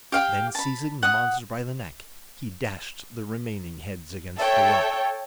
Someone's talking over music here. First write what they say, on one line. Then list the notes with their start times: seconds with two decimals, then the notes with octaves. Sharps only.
Then, seizing the monster by the neck, he dashed the remaining heads against the rock.
0.12 G4 F5 G5
0.55 A5 B5
1.03 F#5 D#6
4.38 A4 C#5 E5 G5